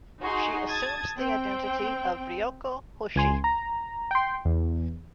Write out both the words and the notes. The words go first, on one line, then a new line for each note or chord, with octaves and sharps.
She assumes the identity of Ryoko Hoshi.
D#4 F#4 G#4 G#5 C6
A5 D#6 G#6 A6
C4 G5
C#2 G#5 C6
A#5
G5 C6
E2